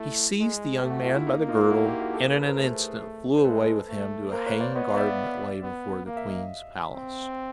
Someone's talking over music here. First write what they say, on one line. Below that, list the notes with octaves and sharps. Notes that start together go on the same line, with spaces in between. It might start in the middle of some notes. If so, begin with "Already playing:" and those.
He seized the young man by the girdle, and in an instant flew away with him to a hanging-garden that lay before the queen's palace.
Already playing: A3 E4
G#3
A3 G4
F#4
F4
E4
A#3 D#4
D#4 F4
E4 F#4
F4 G4
F#4 G#4
G4 A4
G#4 A#4
A4 B4
A#4 C5
A3 G#4 A#4
C5
G#3 A4 B4
A3
A#3 A#4 C5
B4 C#5
C5 D5
B3 C#5 D#5
F5
D5 E5
B3
A#3 F5
E5
D#5 F5
C4